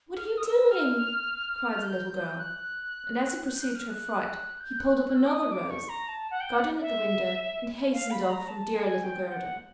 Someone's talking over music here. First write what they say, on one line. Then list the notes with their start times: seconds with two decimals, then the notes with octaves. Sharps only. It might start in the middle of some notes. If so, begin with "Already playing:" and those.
"What are you doing?" cried the little girl; and as he perceived her fright, he pulled up another rose, got in at the window, and hastened off from dear little Gerda.
0.17 F6
0.38 D#6
0.43 E6
0.71 F6
1.82 G6
2.31 G6
2.38 F#6
3.49 G6
3.63 F#6
3.75 F6
3.89 F#6
4.60 G6
4.79 F#6
4.97 F#6
5.15 E6
5.26 D6
5.33 D#6
5.52 D6
5.70 C#6
5.89 A#5
6.08 A5
6.31 F#5
6.41 G5
6.54 F#5
6.82 E5
7.93 F5
8.11 B5
8.30 A#5
8.48 A5
8.76 G#5
9.03 G5
9.32 F#5